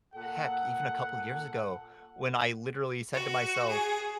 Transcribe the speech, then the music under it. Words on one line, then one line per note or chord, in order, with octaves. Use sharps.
Mm, heck, even a couple years ago, when I literally said to myself,
A#2 A4 F#5
F#4
G#4